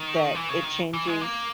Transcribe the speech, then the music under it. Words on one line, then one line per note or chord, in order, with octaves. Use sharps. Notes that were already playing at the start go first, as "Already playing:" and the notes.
that it changes
Already playing: D#3
E3
C#3
D#3
E3
G#3
A#3